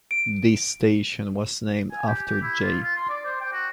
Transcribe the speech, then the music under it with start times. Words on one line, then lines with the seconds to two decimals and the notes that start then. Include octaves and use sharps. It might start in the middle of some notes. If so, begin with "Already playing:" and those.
This station was named after J.
0.11 D7
1.91 G#5
2.07 G4
2.27 G4
2.42 E4
2.61 F4
2.82 F4
2.96 C6
3.09 D5
3.26 C5
3.41 G5
3.53 F#4